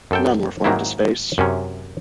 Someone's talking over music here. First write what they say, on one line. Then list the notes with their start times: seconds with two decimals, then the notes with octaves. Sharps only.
None were flown to space.
0.11 F#2 A4 G5
0.64 G#2 D#3 F#3 A#3 C4 E4
1.38 F#2 C3 C#4